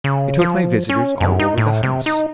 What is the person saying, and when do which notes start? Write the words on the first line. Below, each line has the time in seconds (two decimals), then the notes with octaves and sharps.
I took my visitors all over the house.
0.04 C#3
0.42 F3
0.89 C#4
1.21 F#2
1.40 D#4
1.58 A2
1.83 C3
2.06 D#4